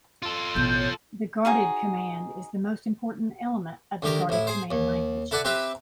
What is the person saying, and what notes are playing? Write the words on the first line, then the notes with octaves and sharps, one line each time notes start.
The guarded command is the most important element of the guarded command language.
F4 A4
A1 B2 C#5 G6
D#4 F#4 G#4 C#5
D2 D#3 G4 A#4
A1 E4
G#4 C5
D#2
E4 A4 B4 D5 F#5
C4 G4 B4 E5 B5